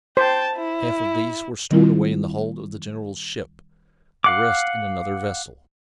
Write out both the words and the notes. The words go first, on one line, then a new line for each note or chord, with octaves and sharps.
Half of these were stored away in the hold of the general's ship, the rest in another vessel.
C5 G5 A5
E4
D#3 G3 C4 E4 F4
F5 F#5 D6